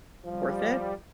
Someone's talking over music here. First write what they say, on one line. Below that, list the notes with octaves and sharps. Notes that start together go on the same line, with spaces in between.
worth it?
F3 G3